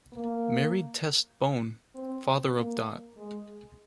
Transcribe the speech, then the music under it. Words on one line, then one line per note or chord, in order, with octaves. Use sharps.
Married Tess Bone, father of Dot.
A#3
C4
A#3
G#3